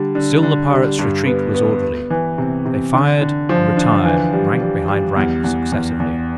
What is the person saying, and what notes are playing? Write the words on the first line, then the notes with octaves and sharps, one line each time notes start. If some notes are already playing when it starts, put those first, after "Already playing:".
Still the pirates' retreat was orderly; they fired and retired rank behind rank successively.
Already playing: D3 G3
D3
D3
G3
G2
B3
B3
B3
E3
C3
C3
D3
D3
F3
D3
E3
G3
G3
G3
E2
E2
E2
E2